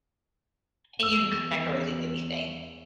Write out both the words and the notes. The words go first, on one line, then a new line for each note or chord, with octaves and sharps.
and you've not decorated anything.
E2 E6